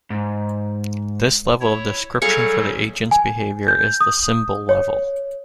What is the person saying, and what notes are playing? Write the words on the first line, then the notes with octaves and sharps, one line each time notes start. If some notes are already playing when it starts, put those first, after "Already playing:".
This level of description for the agent's behavior is the symbol level.
G#2
E4 C#5
F#3 G3 G#4 A4 F5 C#6
G#5
G6
D#6
C#5